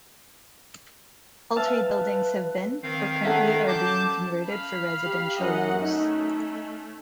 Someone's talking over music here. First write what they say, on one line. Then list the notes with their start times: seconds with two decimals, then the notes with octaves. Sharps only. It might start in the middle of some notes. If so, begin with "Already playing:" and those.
All three buildings have been, or currently are being converted for residential use.
1.56 B4 E5 F5 A5
2.83 D#3 C4 F5
3.25 C#4 A4 E5 F#5 A#5
3.68 A5 D6 G6
4.47 F5 B5
5.06 G4
5.39 F#2 D#5 F#5
5.81 A3 C#4 D#4